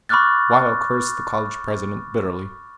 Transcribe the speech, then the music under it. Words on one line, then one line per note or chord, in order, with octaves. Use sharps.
Weill cursed the college president bitterly.
B5 C#6 D6 F6 F#6 A6